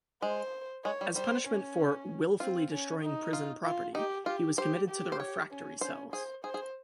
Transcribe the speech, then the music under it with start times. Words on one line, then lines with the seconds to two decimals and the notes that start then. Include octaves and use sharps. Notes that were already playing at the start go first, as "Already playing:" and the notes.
As punishment for "willfully destroying Prison property", he was committed to the Refractory cells.
0.22 G#3 C5
0.84 G#3 C#5
1.01 G3
1.16 G3 C5
1.47 C#4
2.40 C4 F4
2.72 C#4
3.03 D#4
3.33 F4
3.64 F4
3.95 D#4 G4
4.26 F4 G4
4.58 G4 C5
4.89 G4
5.12 C5
5.20 C#5
5.51 C#4
5.81 C#4 C5
6.13 G#4 C5
6.44 G#4 C5
6.54 G#4